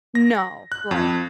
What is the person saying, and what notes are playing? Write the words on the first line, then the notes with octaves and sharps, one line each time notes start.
No, right.
A#6
F#6
F2